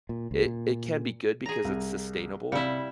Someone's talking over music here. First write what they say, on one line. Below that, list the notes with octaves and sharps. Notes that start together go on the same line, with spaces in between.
it it can be good because it's sustainable,
A#2
C#2
A#2
G#4 A#5
C2
C3 G3 E4 F5 C#7